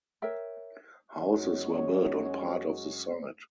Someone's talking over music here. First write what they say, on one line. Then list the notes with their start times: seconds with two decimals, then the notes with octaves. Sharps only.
Houses were built on part of the site.
0.22 A#4 C#5 E5 G5
1.19 F#2 G#3 C#4 F#4 C#5